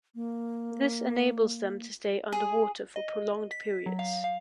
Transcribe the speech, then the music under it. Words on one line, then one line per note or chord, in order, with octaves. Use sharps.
This enables them to stay underwater for prolonged periods.
A#3
G#4
D#5
B6
F#3
F5
F5